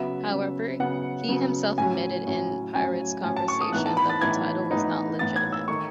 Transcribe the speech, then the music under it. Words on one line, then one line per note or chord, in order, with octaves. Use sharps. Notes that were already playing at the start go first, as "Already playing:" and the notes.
However, he himself admitted in private conversations that the title was not legitimate.
Already playing: C#3 F#3 B3 E5
C#3 F#3 B3
C#3 F#3 B3 F#5
C#3 F#3 B3
A2 F#3 C#4 G#5
A2 F#3 C#4
A2 F#3 C#4 G#5
A2 F#3 C#4 G#5
A5
C#6
D#6
A2 E3 B3 D#4 F#6
A5
B5
A6
A2 E3 B3 D#4 G#6
A2 E3 B3 D#4
A2 E3 B3 D#4 A6
G#6
E6
D#3 A3 D#4 C#6